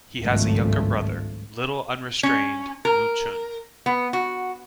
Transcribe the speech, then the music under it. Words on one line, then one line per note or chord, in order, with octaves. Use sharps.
He has a younger brother, "Little Unrestrained" Mu Chun.
G#1 C#2 G2 F3 A3
C#4
A#4
B3
F#4